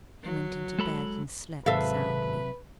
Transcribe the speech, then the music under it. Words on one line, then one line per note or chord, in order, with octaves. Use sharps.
He went in to bed and slept soundly.
F#3
G#3 A4 B5
G#1 C3 F#3 A4 B4 E5 F5